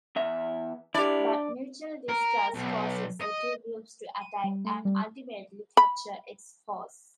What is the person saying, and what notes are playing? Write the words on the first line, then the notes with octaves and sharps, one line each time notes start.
But mutual distrust causes the two groups to attack and ultimately capture X-Force.
E2 E5
D4 E4 G4 D5
A#4
B1
D#5
D#7
G3
A3
G3
B5